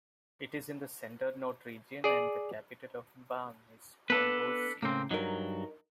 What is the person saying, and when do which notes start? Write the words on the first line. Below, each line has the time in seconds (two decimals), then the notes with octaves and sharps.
It is in Centre-Nord Region and the capital of Bam is Kongoussi.
2.04 G#4 D5
4.10 B3 D4 A4 B4
4.82 A2 C#3 A#3 C4
5.11 G2 F#3 D#4 A#4